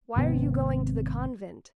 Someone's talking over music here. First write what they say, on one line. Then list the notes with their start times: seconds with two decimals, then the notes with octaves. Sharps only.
"Why are you going to the convent?"
0.16 G#1 C3 B3 C4